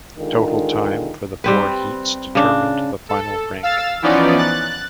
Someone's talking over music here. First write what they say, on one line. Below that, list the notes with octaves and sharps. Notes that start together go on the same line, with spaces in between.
Total time for the four heats determined the final rank.
D3 D#3 G#3 F4 G#4 A#4
G3 C4 B4
C#3 D4
A4
F5 E6 A6
E3 F3 B3 C#4 D#4 D5
F#6 A6